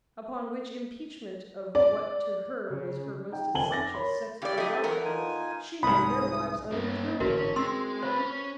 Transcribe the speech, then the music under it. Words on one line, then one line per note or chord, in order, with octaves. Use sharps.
Upon which impeachment of what to her was her most essential sex-prerogative, she made their lives unendurable.
D5
C#3
D#4 G5
F1 D#3 C4 G#5 F#7 G7
D6 A6 A#6
A#4 C#5 B5 C6
C#3 E4 G4 D5
A3 D#5
E2 B3 A#4
D#4 F4 G#5
C2 G#2 B5 D#6
G2 A#3 C#4
A1 G#2 D3 C#4 E4 F#4 A#4
G#3 C4 C6 E6
C#3 B4 C5
C#4